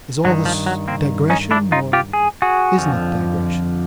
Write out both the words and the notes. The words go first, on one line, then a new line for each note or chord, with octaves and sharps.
Is all this digression or isn't it digression?
G2 D#3 F#3
F3
F#3
A#3 C4
C#4 D#4
D4 E4
D#4 F4
F4 G4
G#4
F#4 G#4
F2 D3 F3